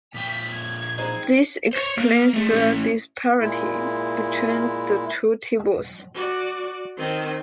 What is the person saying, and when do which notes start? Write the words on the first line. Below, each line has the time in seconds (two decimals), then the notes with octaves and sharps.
This explains the disparity between the two tables.
0.14 A#2 F3 G5 B6
0.53 G#6
0.98 G#3 C4 D#4
1.73 C5 C#5
1.97 A#3
2.34 A3 G#4
2.52 A2 C#4
3.40 A#2 G#3 E4
6.15 F#4 D5
6.98 D#3 C4